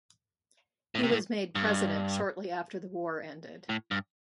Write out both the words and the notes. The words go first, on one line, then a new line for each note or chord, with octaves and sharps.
He was made President shortly after the war ended.
A2
C3
A2
G2
A2
G2